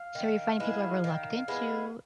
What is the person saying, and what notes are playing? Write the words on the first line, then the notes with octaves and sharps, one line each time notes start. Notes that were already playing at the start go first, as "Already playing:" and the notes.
So, you're finding people are reluctant to
Already playing: F5
D#3
G#3 B3 E4
D#3
G#3 B3 E4